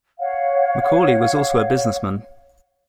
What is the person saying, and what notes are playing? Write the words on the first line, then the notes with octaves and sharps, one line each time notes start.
MacAulay was also a businessman.
C#5 F5 F#5